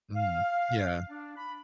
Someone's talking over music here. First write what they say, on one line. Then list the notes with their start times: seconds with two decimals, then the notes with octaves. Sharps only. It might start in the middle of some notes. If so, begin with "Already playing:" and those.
Mhm, yeah.
0.16 F5
1.08 D4
1.37 B5